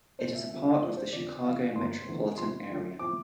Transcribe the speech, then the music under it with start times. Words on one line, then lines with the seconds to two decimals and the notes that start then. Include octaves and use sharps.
It is a part of the Chicago metropolitan area.
0.19 A#2 F3 C4 C5
0.35 E5
0.50 F2 D3 G3 E5
0.81 A2 F3 A3 C4 D5
0.97 C5
1.13 F2 D3 F3 C4 D5
1.44 F2 E3 A#3 F5
1.76 G2 D3 F3 A#3 C6
2.06 E2 D3 A3 C4
2.37 A#2 G3 C4 C6
2.69 F2 D3 F3 A3
2.99 A2 F3 C4 D6